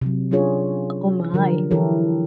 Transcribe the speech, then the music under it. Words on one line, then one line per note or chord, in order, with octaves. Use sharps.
Oh my.
C3 F#3
F#3 C#4 D4 F4 G#4 C#5
D3 F3 F#3 G4 A#4
E3 E4 G4 A4 A#4 C#5